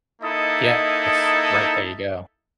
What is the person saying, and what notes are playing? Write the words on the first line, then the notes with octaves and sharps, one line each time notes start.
Yes. Right, there you go.
A#3 D#4 E4 A4 D#5 D#6